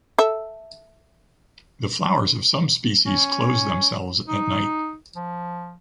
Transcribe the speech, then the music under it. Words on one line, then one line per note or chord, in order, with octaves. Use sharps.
The flowers of some species close themselves at night.
A4 E5
C#4
D#4
F3